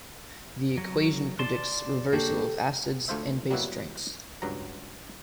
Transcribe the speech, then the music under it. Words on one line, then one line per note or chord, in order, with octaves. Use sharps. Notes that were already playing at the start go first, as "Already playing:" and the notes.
The equation predicts reversal of acids and base strengths.
F#3
D5 A5 C6
A#3 D4 F#4 G4 A4
D2 A3 F4 C5 E5
F#3 G3 A#3 B3 E4 F#4
C#2 G2 F#3 A#5